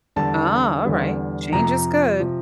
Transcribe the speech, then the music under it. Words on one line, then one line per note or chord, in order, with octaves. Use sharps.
Oh, alright, change is good.
E2 D3 G3 A5
E2 D3 G3
F2 C3 F3 A#5
C3 F3